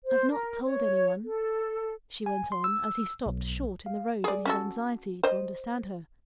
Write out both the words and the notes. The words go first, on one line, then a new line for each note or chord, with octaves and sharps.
"I've not told any one," she went on, as he stopped short in the road, in his anxiety to understand her.
C5
A#4
C#5
A4
G#5
C6
E6
B1
F5
G#4 D5
C#4 F#4 A4
C5 D#5